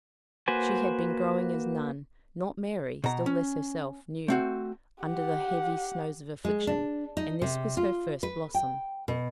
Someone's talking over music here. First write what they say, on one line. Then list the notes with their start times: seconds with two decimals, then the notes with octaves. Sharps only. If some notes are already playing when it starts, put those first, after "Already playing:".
She had been growing as none, not Mary, still less herself, knew, under the heavy snows of affliction, and this was her first blossom.
0.48 A#3 F#4 B4 C5 G#5
3.04 B2 A#5
3.26 C#4
4.28 A3 C4 F#4
5.04 G4 F#5
6.45 G#3
6.67 D4
7.17 D#4
7.42 C3
7.77 F4
8.23 B4
8.54 G5
9.08 B2